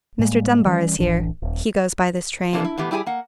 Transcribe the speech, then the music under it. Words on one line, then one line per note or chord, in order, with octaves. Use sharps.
Mr. Dunbar is here; he goes by this train.
A2 G3 G#3 A#3
E3 G3 C#4
D1 A1 E3 D4
D#1
C3 E3 A#3 D4 A4
E4
A2 E3 B3 G4
G3 E4 G4 G#4 G#5
A#3 F#5